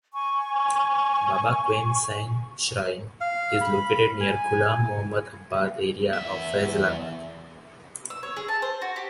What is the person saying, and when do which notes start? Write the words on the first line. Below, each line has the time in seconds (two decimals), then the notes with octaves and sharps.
Baba Qaim Sain Shrine is located near Ghulam Muhammad Abad area of Faisalabad.
0.13 G#5 C#6
3.21 F5
3.61 B5
4.21 G#5
6.13 E2 E5
8.10 E6
8.23 C#5
8.37 G#4
8.48 A5
8.62 C5
8.82 F#4
8.96 G4